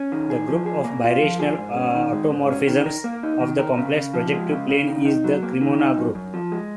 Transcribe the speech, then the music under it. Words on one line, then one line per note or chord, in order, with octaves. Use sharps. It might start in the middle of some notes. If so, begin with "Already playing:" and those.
The group of birational automorphisms of the complex projective plane is the Cremona group.
Already playing: C#4
D#3
G#4
F3
G#4
A#3
F4
F3
G#4
G#2
C#4
D#3
G#3
G#2
C#4
D#3
A#4
A#3
D#4
D#3
A#4
C#3
C#3
F3
G#3
C#3
C#3
D#3
D#4
F#3
A#3
D#3
D#4
F#2
F#2
F3
G#3